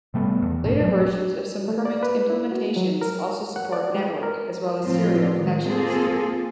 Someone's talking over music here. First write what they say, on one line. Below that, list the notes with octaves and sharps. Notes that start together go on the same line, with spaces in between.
Later versions of some Kermit implementations also support network as well as serial connections.
C3 G3 A3 B3
E2
G1 A#2 A3 D4
F#3 G#3 A3
A3
D5
B4
E4
F#4
F#3
A#4
F#5
D5
G#3
A#4
A2 F3 C4 F4
D#3 G#3
A#3 C4 F4 G#4 A4